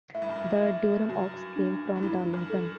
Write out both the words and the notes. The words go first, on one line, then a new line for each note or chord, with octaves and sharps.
The Durham Ox came from Darlington.
A2 E5
G2
F#2
G2
E5
F#2 F#4
D4
A2
G2 E4
F#2
A4